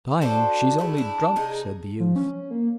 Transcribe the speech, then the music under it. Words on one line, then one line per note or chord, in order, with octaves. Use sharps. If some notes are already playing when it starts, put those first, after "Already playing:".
"Dying; she's only drunk," said the youth.
D4 F#4 A4 C5
A3 E4 G#4
D4 E4
C3 D#4 G#4
F3
C#4
A#3